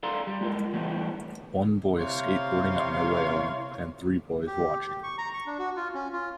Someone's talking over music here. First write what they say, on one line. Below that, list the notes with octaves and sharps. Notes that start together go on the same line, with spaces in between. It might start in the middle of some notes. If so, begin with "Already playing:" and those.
One boy skateboarding on a rail and three boys watching.
A4 D5 F5 A#5 C6
G3
G#3 F4 A#4
E3 G3 A3 B3
C3 E4 C#5 F5 C6
G4
G4
C#6
A#5
C#6
D4
F#4
F4
C#4
F4